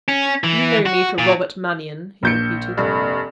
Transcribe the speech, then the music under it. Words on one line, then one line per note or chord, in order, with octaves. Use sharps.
"Do you know me for Robert Mannion?" he repeated.
C#4
E3
F#4
A#2
A#1 G6 C#7
F1 G2